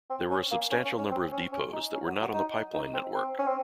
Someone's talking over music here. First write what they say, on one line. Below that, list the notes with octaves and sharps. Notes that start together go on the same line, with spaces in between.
There were a substantial number of depots that were not on the pipeline network.
C4
C#4
A#3
C#4
C#4
C#4
C4
C#4
C#4
D#4
C#4
F#3
F#3
D#4
D#4
C4
C4
C#4
C4